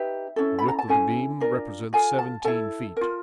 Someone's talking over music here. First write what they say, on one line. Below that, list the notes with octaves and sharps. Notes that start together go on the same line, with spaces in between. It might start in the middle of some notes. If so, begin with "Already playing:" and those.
The width of the beam represents seventeen feet.
Already playing: D#4 G4 B4 E5
C#4 E4 A4
B5
A#5
A5
C#4 E4 A4 G#5
D4 F4 A#4
F4 A4 G#5
A5
E4 A4 A5
F4 A#4